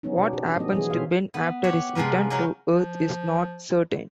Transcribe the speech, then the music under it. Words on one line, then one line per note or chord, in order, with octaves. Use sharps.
What happens to Ben after his return to Earth is not certain.
D3 F#3 B3 C#4 D#4
B2 D4 D5
D3 G4
F3 A3 B3 C#4 D#5
D3 E3 F#3 B3 G#4
B2 D#3 B3 C5 E5 F5
B3
G4 C#5 F#5
C3 F3 G#3 A#4 B4
F#3 D#4 F#4 A#4 C#5 D#5
F3